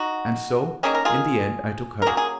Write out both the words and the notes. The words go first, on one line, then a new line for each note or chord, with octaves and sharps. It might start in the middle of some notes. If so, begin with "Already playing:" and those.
And so, in the end, I took her.
Already playing: D#4 F#4
D#3 A#3 C#4 G#4
A#4
F4 G#4
A#4
C#3 F#3 A#3 F4 G#4
G#4